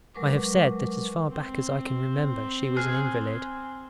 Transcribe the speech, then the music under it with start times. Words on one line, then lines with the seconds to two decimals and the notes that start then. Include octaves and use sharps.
I have said that as far back as I can remember, she was an invalid.
0.15 F#3 G#3 A#4 B4 C#6 D6
1.32 C4
2.77 G#4 F6 F#6